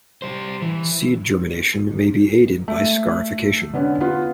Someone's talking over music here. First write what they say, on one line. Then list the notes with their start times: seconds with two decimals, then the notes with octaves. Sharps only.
Seed germination may be aided by scarification.
0.22 G3 C5
0.62 E3
2.68 A3
3.73 D3 B3 C#4
4.01 B3 F4